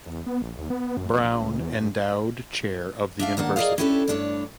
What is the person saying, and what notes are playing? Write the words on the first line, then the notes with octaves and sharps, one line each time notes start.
Brown Endowed Chair of the University.
E2
B3
A#1
D#2
B3
F#2
F1
A#1
C#2
E2
G2
D4 E5 F5
D#2 A#3 D4 F#5
G#4 A#4 C5 D5 D#5 F5
C#4 D4 E4 G4 A4 B4
G2 A3 D4 A#4 C#5